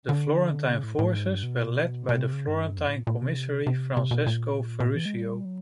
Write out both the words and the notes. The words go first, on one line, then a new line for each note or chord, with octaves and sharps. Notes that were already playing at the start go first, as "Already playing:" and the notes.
The Florentine forces were led by the florentine commissary Francesco Ferruccio.
D3
C#3
A2
A2
G#2
G2
B2
B2
C3
C#3
G2
F2
A2
A#2
A#2
C3
C3
C3
B2
A#2
B2
A#2
E3
G#3
G3
F#3